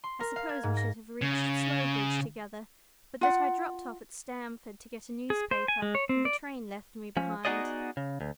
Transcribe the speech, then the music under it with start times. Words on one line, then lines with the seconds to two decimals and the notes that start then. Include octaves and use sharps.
"I suppose we should have reached Slowbridge together, but that I dropped off at Stamford to get a newspaper, and the train left me behind."
0.04 C6
0.20 A#4
0.36 F5
0.49 G#6
0.63 G#2
0.77 A#6
1.22 C#3
3.21 F4 F#5
5.30 G#4
5.51 C5
5.68 G#5
5.82 G#3
5.95 C#5
6.09 C4
6.25 D5
7.17 F3 C#4
7.45 B3 D#4 F#4 G#4 D5 D#5
7.97 C#3
8.21 D2